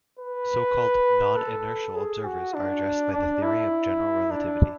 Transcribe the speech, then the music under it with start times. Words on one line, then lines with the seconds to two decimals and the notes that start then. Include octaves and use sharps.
So-called non-inertial observers are addressed by the theory of general relativity.
0.19 B4
1.36 A4
1.95 G#4
2.25 F#4
2.54 D4
3.12 D4
3.42 E4
4.31 D4